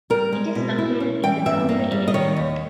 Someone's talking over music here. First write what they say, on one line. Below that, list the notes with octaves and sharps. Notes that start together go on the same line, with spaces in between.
It is located in the Dongri area.
G3 A#4
G#3
B2
E4
C#4
E3 G5
G2 E5
A#3
G3
D#5
D#3 C#5
D#2